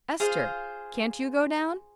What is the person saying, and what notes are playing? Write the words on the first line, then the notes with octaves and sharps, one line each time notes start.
Ester, can't you go down?
F4 G#4 C5 F5